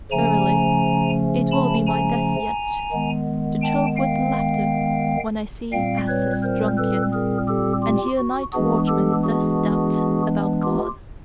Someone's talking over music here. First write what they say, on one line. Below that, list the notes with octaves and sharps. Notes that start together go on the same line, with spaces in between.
Verily, it will be my death yet--to choke with laughter when I see asses drunken, and hear night-watchmen thus doubt about God.
C#3 F3 A3 C#4 G#5 A#5
A5 B5
G#5 A#5
D#3 G#3 B3
G5 A5
F5 G5
A#2 G3 C4 F5 G5
B4 C#5
A#4 C5
A4 B4
G#4 A#4
G4 A4
F4 G4
F#4
E3 G#3 B3 D4 F#4 G#4
G4 A4
F#4 G#4
F4 G4